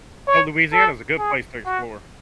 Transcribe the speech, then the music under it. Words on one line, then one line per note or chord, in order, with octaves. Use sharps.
Oh, Louisiana is a good place to explore.
C#5
A4
G#4
F#4